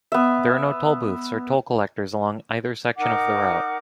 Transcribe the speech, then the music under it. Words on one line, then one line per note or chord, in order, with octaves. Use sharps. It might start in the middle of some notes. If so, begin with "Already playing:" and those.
There are no tollbooths or toll collectors along either section of the route.
B3 E5
D#4 A#4 F#5 D6